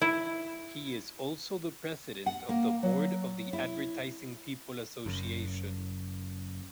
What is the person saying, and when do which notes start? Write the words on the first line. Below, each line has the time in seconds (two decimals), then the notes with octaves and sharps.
He is also the president of the board of the Advertising People Association.
0.02 E4
2.26 F#5
2.49 A#3
2.83 F#3
3.53 E4
5.06 F#1 F#2